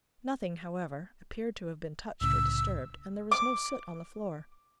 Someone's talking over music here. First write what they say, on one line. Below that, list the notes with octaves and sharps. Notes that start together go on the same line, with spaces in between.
Nothing, however, appeared to have been touched or disturbed, and there was no soot on the floor.
C2 A2 C#3 E6
D6